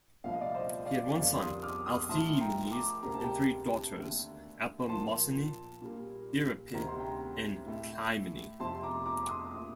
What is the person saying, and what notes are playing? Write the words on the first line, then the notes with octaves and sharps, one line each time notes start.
He had one son, Althaemenes, and three daughters, Apemosyne, Aerope and Clymene.
C2 A#2 F3 A3 F5
D#5
D5 F5
C5 D#5
D5 F5
F2 D3 G3 A#3 D5 F5
C6 D#6
D6 F6
C6 D#6
A2 F3 A3 A5 C6
G5 A#5
A#5 D6
D2 C3 G3 A#3 A#5
A5
G5 A#5
D#2 D3 A3
A#2 F3 A#3 A5 C6
A#2 G3 A#3
D2 C3 D#3 G3 A#5
C6
G5 A#5
A2 A3
F2 C3 F3 A3 A5 C6
C6
A#5 D6
A#5 D6
C6 D#6
A#2 A3